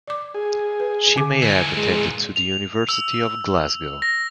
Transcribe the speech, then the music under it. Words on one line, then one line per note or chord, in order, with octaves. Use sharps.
She may have attended the University of Glasgow.
D5 D6
G#4
B4
D3 D6
A#2 E3 G#5
G#3
F7
E6
A#6